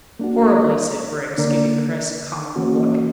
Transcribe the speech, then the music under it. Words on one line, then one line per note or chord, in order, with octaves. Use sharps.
"Horribly," said Griggs, giving Chris a comical look.
A#3 D4 F#4
D3 A#3 D4 A#4 D5
E3 A#3 C#4 F#4